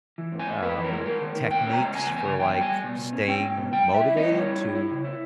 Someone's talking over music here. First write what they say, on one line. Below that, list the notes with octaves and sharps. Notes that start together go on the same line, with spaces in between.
um, techniques for, like, staying motivated to
E3
G#2
G#5
G#3
G#2 B4
E3
A#4
G#3
G#3 A#4
D#3
D#3
G#2 G5
C#4
A#5
G#3
C#3 G#5
E2
G#5
C#3
E2 G5
G3
G#5
G3
B2
B2
C#4
C#4 G5
C#4
B2
G3 G5
G3
E5
E4
C#4 D#5
G3
C#5
E4
E4
E4
C#3
E4